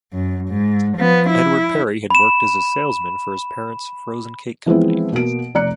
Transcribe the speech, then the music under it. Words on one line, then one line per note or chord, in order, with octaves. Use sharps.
Edward Perry had worked as a salesman for his parents' frozen cake company.
F#2
G#2
F3 B3
E4
B5 E7
E3 F3 G#3 B3 C4 E4
B2 A#3 F#4 D7
F1 D5 A#5 F#6 C#7